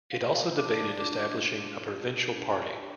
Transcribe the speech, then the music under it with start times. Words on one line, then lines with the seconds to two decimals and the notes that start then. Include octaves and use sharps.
It also debated establishing a provincial party.
0.11 C5 F5
0.29 E5
0.33 F5
0.55 D4 D6
1.00 F4
1.45 D4
1.90 G4
2.35 D4
2.79 G4